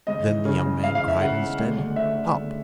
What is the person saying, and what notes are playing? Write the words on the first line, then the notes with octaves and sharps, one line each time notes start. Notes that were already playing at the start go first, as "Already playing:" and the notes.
Then the young man cried instead, 'Hop!
C#2 D#5
E3
C#3
C#2
C#2 F5
F5
E3
E5
C#3 F#5
C#2
D2
D2
D3 E5
D3
D2